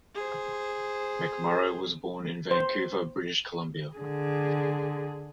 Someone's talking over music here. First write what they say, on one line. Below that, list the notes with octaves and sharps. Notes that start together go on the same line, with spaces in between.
McMorrow was born in Vancouver, British Columbia.
G#4 C5
C5
D3 G#4